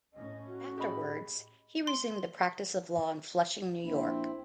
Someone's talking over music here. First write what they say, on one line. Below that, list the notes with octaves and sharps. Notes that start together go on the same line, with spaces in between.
Afterwards he resumed the practice of law in Flushing, New York.
A2 C#4 D#5
F#4
G4 G#4 D#5 B5
C6
A#1 C4 E4